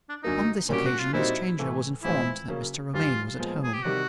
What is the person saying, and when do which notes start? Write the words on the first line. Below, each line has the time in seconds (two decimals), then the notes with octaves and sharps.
On this occasion, the stranger was informed that Mr. Romayne was at home.
0.09 D4
0.23 F#2 D3 F#3 A#3 D#4
0.69 A#2 G3 A#3 C#4 F#4 G4
0.86 F#4
1.00 F4
1.13 A#2 G3 C4 D#4 E4 F#4
1.59 A2 E3 A3
2.03 A2 E3 G#3 C4 E4 F4
2.49 C#3 F#3 A#3 C#4
2.93 G2 E3 G3 F4
3.38 A#2 F3 G#3 B3
3.63 G#4
3.73 G4
3.84 C3 D#3 G3 F#4